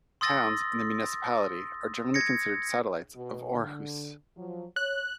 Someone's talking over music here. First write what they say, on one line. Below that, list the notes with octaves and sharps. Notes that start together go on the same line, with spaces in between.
Towns in the municipality are generally considered satellites of Aarhus.
C6 D#6 E6 A6 A#6
G#6 A#6 C#7
B2
D3
F3 F#3
C#5 F#6